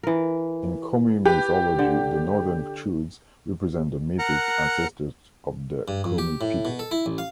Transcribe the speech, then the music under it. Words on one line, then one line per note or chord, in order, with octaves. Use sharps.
In Komi mythology, the Northern Chudes represent the mythic ancestors of the Komi people.
E3 A#4
G4 B4
D3
A#4 F#5 A#5 F#6
G2
F2
G4
A2
B2
A4
E4
A1
F5